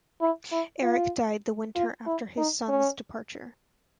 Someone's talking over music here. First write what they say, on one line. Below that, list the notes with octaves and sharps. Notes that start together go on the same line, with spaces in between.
Erik died the winter after his son's departure.
E4
E4
F4
F4
E4
D#4
C#4